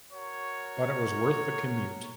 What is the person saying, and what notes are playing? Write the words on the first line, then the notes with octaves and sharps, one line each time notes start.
But it was worth the commute.
F#4 A#4 C#5